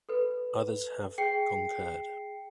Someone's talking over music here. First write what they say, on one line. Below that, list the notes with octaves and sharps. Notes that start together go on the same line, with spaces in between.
Others have concurred.
A4 B4
G#4 G5 C7 C#7